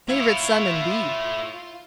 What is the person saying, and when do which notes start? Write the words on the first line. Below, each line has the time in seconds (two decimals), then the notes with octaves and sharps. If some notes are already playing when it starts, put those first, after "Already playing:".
Favorite son, indeed!
0.09 E4 F4 C#5